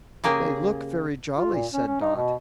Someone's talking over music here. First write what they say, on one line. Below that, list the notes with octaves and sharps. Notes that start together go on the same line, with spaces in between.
"They look very jolly," said Dot.
C#3 A#3 G4 G#4
F4
A#2
C#4
C#4
D#4
B2